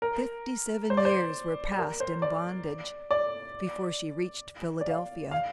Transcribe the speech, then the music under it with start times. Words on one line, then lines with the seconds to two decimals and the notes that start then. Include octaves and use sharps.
Fifty-seven years were passed in bondage before she reached Philadelphia.
0.02 A#4
0.90 C5
0.97 D5
1.05 C5
1.71 G4
1.79 A#4
2.00 C5
2.22 D5
3.11 D5
4.81 D5
4.88 F5
5.31 F5